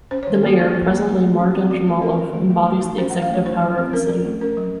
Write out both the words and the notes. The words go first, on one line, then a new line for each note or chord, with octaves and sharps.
The mayor, presently Mardan Jamalov, embodies the executive power of the city.
C#4 C5
C#5
D#3
A4
A#3 F#4
D#4
F3
A#3
A3
A3
C#4
C4 F4
F3 F#4
A3 F4
C#4 A#4
D#3
A3
A3
A3
D#4
C#4 C5
F#5
F#3
F5
A3 C#5
D#4 C5
F#3
C4
C#4 A#4
F3
A3
C#4 A#4
F#3